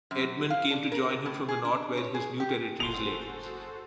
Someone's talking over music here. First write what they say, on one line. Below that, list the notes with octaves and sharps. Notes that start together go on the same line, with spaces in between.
Edmund came to join him from the North, where his new territories lay.
F#2
F5
D4
A#4
A2
G#4
D4
C#5
G#4
G4
F#1 F#4 G#4 A4 C5 C6 F7